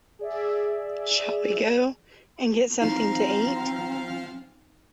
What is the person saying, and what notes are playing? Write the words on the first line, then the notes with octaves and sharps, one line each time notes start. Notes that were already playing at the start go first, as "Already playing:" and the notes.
Shall we go and get something to eat?
G#4 D5 E5
F3 C4 D#4 F5 A#5